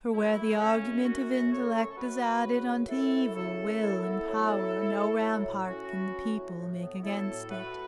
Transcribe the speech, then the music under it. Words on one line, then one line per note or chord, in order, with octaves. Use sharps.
For where the argument of intellect Is added unto evil will and power, No rampart can the people make against it.
F#2 E4
A3
C#3 C#4
F#2
F#2 C#4 F#4
A3
C#3 A4 C#5
F#2
A4
F#2 F#4 B4
A3
C#3
F#2
F#2 E4 A4
A3
C#3 E4 A4
F#2
A2 E4 A4
B3
F#3
A2
A2
B3
F#3
A2
A2 C#4 F#4
B3
F#3
A2
A2
B3
F#4
F#3 E4 A4
A2
A3 F#4 B4